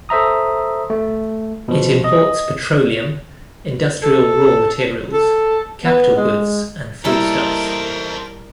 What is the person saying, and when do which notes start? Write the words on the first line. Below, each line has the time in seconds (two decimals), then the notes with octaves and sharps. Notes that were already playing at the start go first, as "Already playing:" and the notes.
It imports petroleum, industrial raw materials, capital goods, and foodstuffs.
0.09 A4 C5 E5 A#5 D#6
0.90 A3
1.68 B2 F3
2.04 D#5
4.03 A4
5.13 A4
5.85 B3
6.16 G#3
7.05 G3 A#3 D#4 E4 A4 A#4 C5 E5